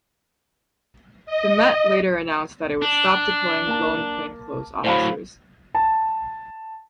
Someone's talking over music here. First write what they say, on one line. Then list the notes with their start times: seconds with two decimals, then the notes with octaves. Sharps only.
The Met later announced that it would stop deploying lone plainclothes officers.
1.26 D#5
2.82 D4
3.67 A#3 A5
4.84 A2 F#3 C5 F5 B5
5.75 A5